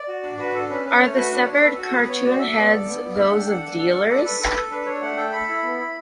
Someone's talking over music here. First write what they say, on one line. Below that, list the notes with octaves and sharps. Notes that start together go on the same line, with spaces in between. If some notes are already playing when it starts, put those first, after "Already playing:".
Are the severed cartoon heads those of dealers?
Already playing: D5
F#4
D4
F#4 B4
D4 A4
C#4 B4
C#4 B4
A3 C#5
F#4 B4
D4 B4
C#5
D4
C#5
A4 B4
A4
F#4
A4
B3 B4
B3 C#5
F#4 D5
A4 E5
B3 D5
A4
B3
B3
D4 E5
F#5
A4
G5
D4 F#5
D4
A4
A4
A4 D5
A4 B4
A4 B4
A4
D4 B4
D4 C#5
A3 F#5
A4 G5
A4 B5
E4
B3
E4